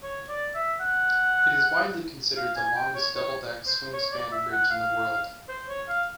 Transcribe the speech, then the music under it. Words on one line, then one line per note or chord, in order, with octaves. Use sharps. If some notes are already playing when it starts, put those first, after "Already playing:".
It is widely considered the longest double-deck swing-span bridge in the world.
C#5
D5
E5
F#5
F5
G#5
G5
C#5
C#5
C5
C#5
D5
E5
F#5
F5
C5
C#5
F5